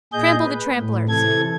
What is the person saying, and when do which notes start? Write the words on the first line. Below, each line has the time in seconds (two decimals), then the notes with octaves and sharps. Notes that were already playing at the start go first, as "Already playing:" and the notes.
Trample the trampellers.
0.13 A#2 G#4 D#5 G6
0.43 B4
0.75 A2
1.09 C3 E3 A4 G#6